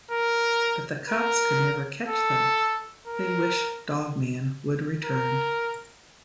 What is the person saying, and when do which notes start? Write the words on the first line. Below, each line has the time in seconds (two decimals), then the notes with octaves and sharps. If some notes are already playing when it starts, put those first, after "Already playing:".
But the cops could never catch them, they wish Dog Man would return.
0.11 A#4
1.10 A#4
2.09 A4
3.07 A#4
5.05 A#4